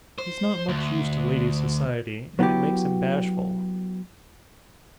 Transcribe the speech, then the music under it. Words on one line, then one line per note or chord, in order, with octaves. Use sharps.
'He's not much used to ladies' society, and it makes him bashful.
C5
D2
F#3 B3 E4 F#4 G4